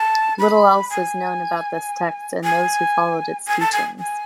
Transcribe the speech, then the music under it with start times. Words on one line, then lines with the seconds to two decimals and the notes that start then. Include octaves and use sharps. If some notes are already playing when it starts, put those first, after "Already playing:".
Little else is known about this text and those who followed its teachings.
Already playing: A5
0.39 B5
0.90 G#5
2.44 G#5
3.48 G#5
3.60 A5
3.73 G#5
3.99 G#5